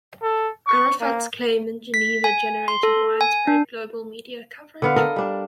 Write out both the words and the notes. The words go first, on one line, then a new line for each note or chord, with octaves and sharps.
Arafat's claims in Geneva generated widespread global media coverage.
A4
C#6
A#3
B6
G#5
C6
A4
G#5
D4
D3 B3 F5
A4 A#4 D#5
G3 D4